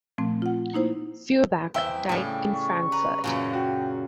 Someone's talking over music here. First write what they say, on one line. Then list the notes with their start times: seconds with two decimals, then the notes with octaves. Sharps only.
Feuerbach died in Frankfurt.
0.18 A#2 F3 A3 C4
0.42 F4 F#5
0.73 A#3 D#4 E4 C5
1.74 E2 C4 E5 G7
2.09 A2 C#3 G3
2.55 C#6
2.92 B4 A#5
3.24 F#2 A#2 C#3 F#4
3.53 F#4 G5